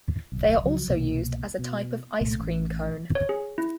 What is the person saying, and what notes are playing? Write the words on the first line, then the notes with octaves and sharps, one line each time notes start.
They are also used as a type of ice cream cone.
D1 B1
C#2 F3 F#3
F1 C2 B2 A#3
B2
C2 A#2 A3
A1
C#5
G#4
E4